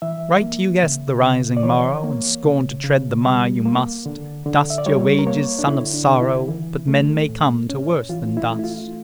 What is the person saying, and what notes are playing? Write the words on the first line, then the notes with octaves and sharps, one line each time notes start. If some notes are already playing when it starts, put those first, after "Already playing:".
Right you guessed the rising morrow And scorned to tread the mire you must: Dust's your wages, son of sorrow, But men may come to worse than dust.
E3 E5
A#3
C#3
C#3
D5
E3 C#5
A#3
C#3
C#3
G3
A#3
D3
D3
E5
D5
G3 C#5
A#4
A#3 C#5
D4
D3 E4
D4
D3
E4
E3
A3
A2
C#4
E3 F4
E4
A3
E4
F4